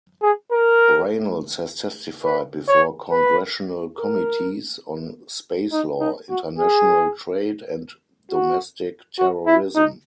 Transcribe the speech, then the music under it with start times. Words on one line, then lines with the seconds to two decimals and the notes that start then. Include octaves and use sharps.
Reynolds has testified before Congressional committees on space law, international trade, and domestic terrorism.
0.22 G#4
0.52 A#4
2.25 B4
2.68 C#5
3.11 B4
3.98 A#4
5.72 D#4
6.00 D#4
6.30 F#4
6.59 G#4
8.32 F#4
9.19 F#4
9.46 E4
9.75 D#4